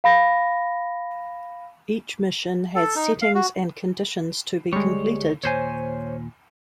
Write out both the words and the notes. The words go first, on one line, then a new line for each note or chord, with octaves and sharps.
Each mission has settings and conditions to be completed.
F5 B5 A#6
A4
D#4
F5
F#4
D2 G3 G#3 C#5
D#2 A#2 C5 C#5 G#5